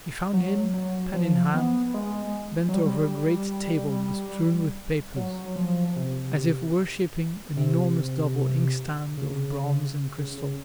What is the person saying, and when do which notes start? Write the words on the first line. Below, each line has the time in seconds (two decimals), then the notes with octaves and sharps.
He found him, pen in hand, bent over a great table bestrewn with papers, as if worshipping an enormous double inkstand of bronze and crystal.
0.33 F#3
0.74 F#3
1.14 F3
1.54 B3
1.94 G#3
2.69 F#3
2.74 G3
5.16 F#3
5.56 F3
5.96 C3
7.57 C3
9.17 C#3
10.18 C#3
10.38 C#3